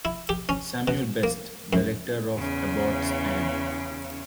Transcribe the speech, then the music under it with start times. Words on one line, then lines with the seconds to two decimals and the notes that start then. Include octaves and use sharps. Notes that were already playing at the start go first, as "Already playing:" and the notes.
Samuel Best, the Rector of Abbotts Ann.
0.05 E4
0.29 G4
0.49 C#4
0.88 B2
1.23 A#3
1.73 F#2
2.34 E2 C#3